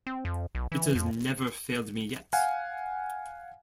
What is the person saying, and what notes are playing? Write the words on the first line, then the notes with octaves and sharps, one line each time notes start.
It has never failed me yet.
C4
F2
B1
E3
F2
F5 F#5 G#5